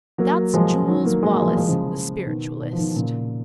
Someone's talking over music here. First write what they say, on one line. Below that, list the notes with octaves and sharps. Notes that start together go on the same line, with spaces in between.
"That's Jules Wallace, the spiritualist."
F#3 A#3
F3 G#3
D#3 F#3
F#3 A#3
G#3
A#3
F3 G#3
A#3
F3 G#3
C#3 F3
B2 D#3
B2 D#3
F3
B2 D#3
A#2 C#3